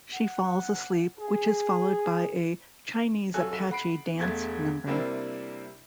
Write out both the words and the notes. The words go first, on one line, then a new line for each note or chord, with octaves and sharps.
She falls asleep, which is followed by a "Chinese Apache Dance" number.
F#5
G#4
D#1 F#3 A4 G#5 F#6
F#5 B5 C7 D7
E1 E2 A3 G#6 A6
C3 G3 A#3 C4 D4 E4